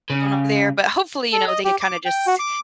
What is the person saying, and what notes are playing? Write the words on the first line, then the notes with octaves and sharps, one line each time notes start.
going on there, but hopefully, you know, they can kinda just
C#3
A4
D#5
G4
D6
G5
F#4
D6